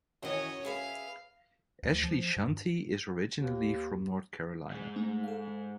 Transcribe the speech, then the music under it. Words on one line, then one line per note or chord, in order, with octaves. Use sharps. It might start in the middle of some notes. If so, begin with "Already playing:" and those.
Ashleigh Shanti is originally from North Carolina.
F#2 D#3 E3 C#5 D#5
G#4 B4 E5 F5
D2
F3
G2
D#2
G#2 G#3
A3 D#4
A4 F5